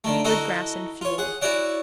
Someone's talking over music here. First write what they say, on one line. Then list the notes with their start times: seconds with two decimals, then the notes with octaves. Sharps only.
Good grass and fuel.
0.04 D3 D#3 A3
0.24 D#4 E4 F#4 A4 D#5
1.01 F4 C#5
1.18 G#4 F#5
1.41 E4 F#4 C#5 D5 F#5